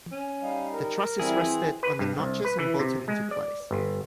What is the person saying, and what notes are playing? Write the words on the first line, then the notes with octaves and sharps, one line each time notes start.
The truss is rested on the notches and bolted into place.
C#4
G3 D#4 F5
A#4
E3 G3 C4 E4 G#4
E3 C4
B4
G2
C2
B4
E3
C3
G#3
D5
G1